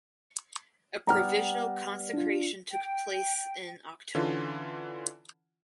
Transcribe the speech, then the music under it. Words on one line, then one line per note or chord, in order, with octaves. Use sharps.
A provisional consecration took place in October.
G3 B3 A#5 F6
D4 F4
G5
D3 E3 C#4 F4